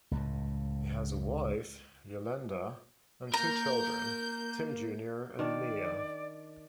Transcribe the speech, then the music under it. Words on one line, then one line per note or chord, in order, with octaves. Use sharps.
He has a wife, Yolanda, and two children, Tim Junior and Nia.
C#2 A2
A#3 A#4 A#5 G6
D#3 D4 D5